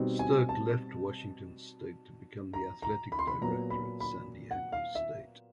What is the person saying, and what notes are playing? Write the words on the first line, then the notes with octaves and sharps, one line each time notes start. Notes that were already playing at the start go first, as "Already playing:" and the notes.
Sterk left Washington State to become the athletic director at San Diego State.
Already playing: B2 G3 C4 D#4
G#5
A5
A#5
A#5
B5
C6
B5
A#2 F#3 B3 A#5
B5
B5
F#5
F5
E5